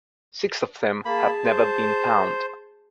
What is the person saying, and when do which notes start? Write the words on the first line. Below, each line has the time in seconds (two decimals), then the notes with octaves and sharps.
Six of them have never been found.
1.05 A#3 G#4 A5 B5
1.45 C5